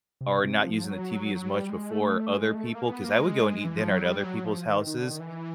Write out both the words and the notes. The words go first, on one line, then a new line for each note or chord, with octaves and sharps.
or not using the TV as much before other people 'cause I would go and eat dinner at other people's houses,
C3
C3
F3
F#3
G3
G#3
A3
G#3
A3
A#3
B3
A#3
G#3
E3
F3
F#3
G3
F#3
F3
D#3
D#3
D3
D#3
E3